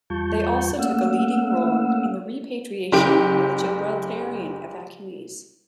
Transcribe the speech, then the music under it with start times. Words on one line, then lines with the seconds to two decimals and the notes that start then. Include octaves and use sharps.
They also took a leading role in the repatriation of the Gibraltarian evacuees.
0.10 E2 G3 F4 A5 C#6 G6
0.78 A3 A#3 C#4 F5 F#5 E6
2.92 F#1 G4 D7